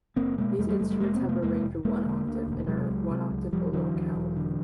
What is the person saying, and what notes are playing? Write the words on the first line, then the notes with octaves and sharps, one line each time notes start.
These instruments have a range of one octave, and are one octave below calung.
F#1 A#3 C4
B2 G#3 A#3
E2 G3 A3
G3 A3
F#1 G3 A3
G3 A3
F1 G#3 A#3
A#3 C4
C3
A3 B3
E2 G#3 A#3
F1
E1 G#3 A#3
D3
D2
E1
C3 F#3 G#3
C#2
C3
C#2
E1 F3 G3
D3 E3 F#3
D#2
E1
D3